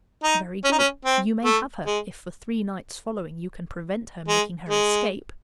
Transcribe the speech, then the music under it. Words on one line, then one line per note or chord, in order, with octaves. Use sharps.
Very good; you may have her if for three nights following you can prevent her making her escape.
D#4
C#4
D#4
C#4
C4
A3
G#3
G#3
G#3